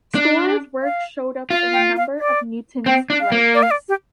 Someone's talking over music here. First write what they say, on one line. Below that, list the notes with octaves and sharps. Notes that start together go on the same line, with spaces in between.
Storer's work shows up in a number of Newton's writings.
D4
F5
F4 F5
G5
F5
D5
C4 G5
D4
F5
A#3
D5
F5
D5
G4